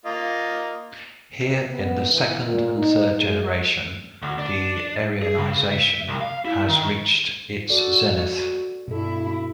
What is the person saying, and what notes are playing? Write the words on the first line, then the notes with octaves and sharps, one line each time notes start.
Here in the second and third generation, the Aryanisation has reached its zenith.
A#3 F4 D#5
B3
E3
A#2
D#4
G#3
D2
D4
G#4
C#3
E5
C2
F5
E4
D#3
F#4 A4 D5
G2 B2 E4 A4